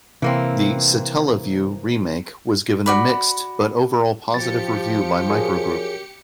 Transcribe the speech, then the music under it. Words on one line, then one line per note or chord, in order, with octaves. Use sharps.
The Satellaview remake was given a mixed, but overall positive review by Microgroup.
C3 E3 A#3 C4
F#4 D5 B5
F3 G4 A6 C#7
F#2 G#4